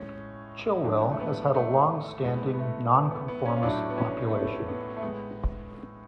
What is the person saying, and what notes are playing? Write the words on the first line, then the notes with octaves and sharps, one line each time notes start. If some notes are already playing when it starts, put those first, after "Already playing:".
Chilwell has had a long-standing non-conformist population.
Already playing: A2 G#3 C#4
A2 F3 G#3 D4
A3
B3
A3
A3
A2 G#3 B3
B3
A3
B3
B3
B3
C#4
F4
A2 F#3 A3 D4
B3
C#4
A3
B3
B3
A3
A2 G#3 B3